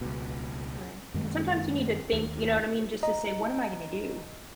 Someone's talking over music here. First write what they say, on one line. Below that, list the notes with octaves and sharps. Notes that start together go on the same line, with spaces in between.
Right, and sometimes you need to think, you know what I mean? Just to say, "What am I gonna do?"
C#2 B2
F#2 D#3 G#3 A#3
D#2
D#5 A#5